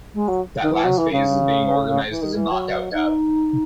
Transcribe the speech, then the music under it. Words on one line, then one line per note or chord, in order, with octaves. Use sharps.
That last phase is being organized as a knockout cup.
G#3
F#3
D#3
E3
F#3
E3
C#3
E3
D#3
E3
F#3
D#4